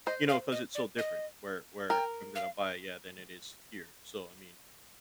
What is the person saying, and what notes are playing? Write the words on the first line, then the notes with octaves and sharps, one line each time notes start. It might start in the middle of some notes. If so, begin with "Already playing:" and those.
you know, 'cause it's so different where where I'm gonna buy yeah, than it is here, so, I mean
C5 D#5
F5
D#5
D5
D#5
A#4 G5
F5